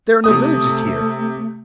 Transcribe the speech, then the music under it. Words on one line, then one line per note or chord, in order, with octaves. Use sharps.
There are no villages here?
C3 A3 D#6